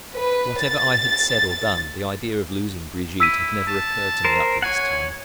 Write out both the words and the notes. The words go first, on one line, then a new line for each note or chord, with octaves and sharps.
Whatever I had said or done, the idea of losing Brigitte had never occurred to me up to this time.
B4
A6
E4 E6 B6 D#7
A5
A#4 C5
C#5 F#5 G#5